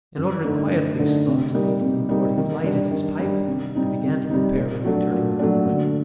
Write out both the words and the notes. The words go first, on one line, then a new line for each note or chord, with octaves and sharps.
In order to quiet these thoughts of evil import, he lighted his pipe and began to prepare for returning home.
F#2
D3 A3 D#4
F#2
D3 A3 D#4
C3
G3 A#3 D#4
C3
G3 A#3 D#4
D#3
G3 D4
D#3
G3 D4
C3
G3 C4 D#4
C3
G3 C4 D#4
A#2
F#3 A3 D4
A#2
F#3 A3 D4
D3